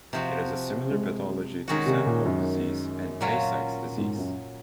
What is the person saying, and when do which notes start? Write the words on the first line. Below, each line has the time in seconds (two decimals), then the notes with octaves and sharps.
It has a similar pathology to Sandhoff disease and Tay-Sachs disease.
0.13 C3 F3 C4 F#4
0.91 G#3
1.68 D#3 G#3 C#4 F#4
1.86 C3
2.06 A#2
2.25 F#2
3.21 A#2 F#3 C#4 F4
3.98 G#2
4.17 F#2